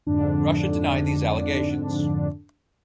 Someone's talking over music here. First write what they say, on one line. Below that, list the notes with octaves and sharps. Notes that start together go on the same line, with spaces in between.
Russia denied these allegations.
F2 G#2 D3 D4